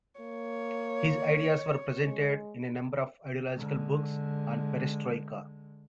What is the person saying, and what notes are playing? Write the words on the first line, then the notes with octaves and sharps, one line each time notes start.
His ideas were presented in a number of ideological books on perestroika.
A#3 C#5
G#3
D3 G#3